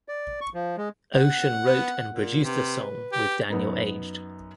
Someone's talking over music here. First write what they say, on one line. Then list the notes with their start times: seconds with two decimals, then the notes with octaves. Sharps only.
Ocean wrote and produced the song with Daniel Aged.
0.08 D5
0.41 C#6
0.54 F3
0.77 G#3
1.14 F#5
1.65 B3
2.08 A#2
2.44 C3 B4
3.12 G4
3.50 F#2 B3 D#4